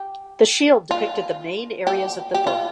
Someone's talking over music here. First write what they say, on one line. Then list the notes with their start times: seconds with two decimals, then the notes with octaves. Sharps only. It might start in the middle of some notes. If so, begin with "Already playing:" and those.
The shield depicted the main areas of the borough.
Already playing: G4
0.91 F4
1.87 G4
2.34 G4
2.47 F4